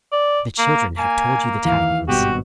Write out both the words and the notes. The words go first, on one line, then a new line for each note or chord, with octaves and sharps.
The children have told you the tidings.
D5
A#3
A#3 G#5
D#2 E3 F5
G#1 G2 B2 F#4 G4